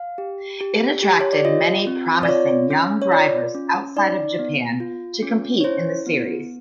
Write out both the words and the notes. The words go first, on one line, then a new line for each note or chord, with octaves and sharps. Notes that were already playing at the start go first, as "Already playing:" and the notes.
It attracted many promising young drivers outside of Japan to compete in the series.
Already playing: F5
G4
G4
G4
C#5
D5
F4 D#5
C4
D5
F4 C#5
C#4
C#5
F4 D5
C#4
D#4 D5
B3
F4
C#4
C#5
E4 C5
B3